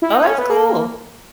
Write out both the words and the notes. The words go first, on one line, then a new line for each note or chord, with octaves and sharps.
Oh, that's cool.
E4
D#4
C#4
B3
A#3